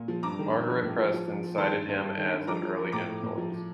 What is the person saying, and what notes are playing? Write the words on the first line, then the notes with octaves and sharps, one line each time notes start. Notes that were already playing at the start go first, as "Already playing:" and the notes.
Margaret Preston cited him as an early influence.
Already playing: A#2
F3
G2 A#5 D6
D#3
G2
F3
A2
F3
F3
F3
F3
D#3 A5 C6
G2
G2
G2
D#3
G2
F3 A#5 D6
F3
F3
A2 A#5 D6
A2
A2
F3
F3